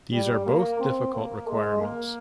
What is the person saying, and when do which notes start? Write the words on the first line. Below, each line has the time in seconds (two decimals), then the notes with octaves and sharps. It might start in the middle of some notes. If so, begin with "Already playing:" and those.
These are both difficult requirements.
0.13 G3
0.46 A#3
0.80 C4
1.14 A#3
1.47 G#3
1.81 A#3